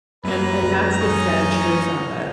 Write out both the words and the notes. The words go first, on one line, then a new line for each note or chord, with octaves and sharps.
and and that's the sad truth of it.
F#2 A#3 B4 A#5
C#4 D#4